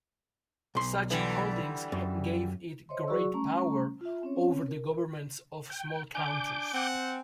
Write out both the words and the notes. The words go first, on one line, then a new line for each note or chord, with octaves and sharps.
Such holdings gave it great power over the governments of small countries.
B1 C6
D3 E3 G3
F#2
C5 C#5 D#5 E5 C6
F#3 F#4 G#4 D5 C#6 E6
G3 A3 C#4 A#5 C#6
F4 E5
C4 C#4 C#5
A#4
G5
D4 G#5 D6 G6
C4 F#5